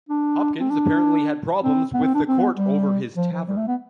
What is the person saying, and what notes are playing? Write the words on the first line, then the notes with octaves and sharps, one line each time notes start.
Hopkins apparently had problems with the Court over his tavern.
D4
C4
D4
C4
B3
C4
D4
C4
B3
G3
F3
F3
G3
A3
B3